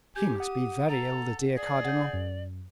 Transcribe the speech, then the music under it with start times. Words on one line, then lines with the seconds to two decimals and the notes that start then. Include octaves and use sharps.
"He must be very ill, the dear cardinal!"
0.16 G4 G#5 G6
0.40 F#5 D#6
0.89 A4 A#5
1.57 G#4 D5
1.85 F#5 G6
2.13 F#2